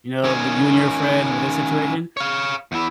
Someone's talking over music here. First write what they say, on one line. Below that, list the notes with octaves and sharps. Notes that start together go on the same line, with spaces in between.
You know, with you and your friend, with this situation,
D#3 C#4
C#5 F5
E2 E4